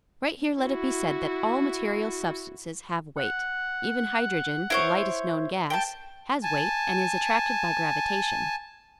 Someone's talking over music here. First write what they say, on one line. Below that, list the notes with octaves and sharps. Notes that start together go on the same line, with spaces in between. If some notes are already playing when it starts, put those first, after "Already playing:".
Right here let it be said that all material substances have weight; even hydrogen, the lightest known gas, has weight, and is attracted by gravitation.
E4 F#4
F#5
E4 C5 C#5
G5 A5
G#5 A5